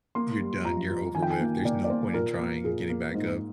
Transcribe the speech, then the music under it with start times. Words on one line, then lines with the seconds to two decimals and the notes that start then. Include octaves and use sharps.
You're done, you're over with, there's no point in trying getting back up.
0.15 A#3 C6
0.40 G3
0.65 F2 A#5
0.90 F2
1.15 D#3 G#5
1.22 G5
1.31 G#5
1.40 A#3
1.65 A#3 D5
1.84 D5
1.90 A#3 C5
2.14 A#2 A#4
2.39 A#3
2.64 A#2 G#4
2.89 A#3
3.14 G#2